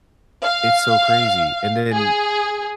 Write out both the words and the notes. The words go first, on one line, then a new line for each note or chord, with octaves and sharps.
It's so crazy, and then
F5
G#4